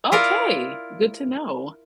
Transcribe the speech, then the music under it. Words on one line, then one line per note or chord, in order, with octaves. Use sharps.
Okay. Good to know.
E4 F4 A#4 D5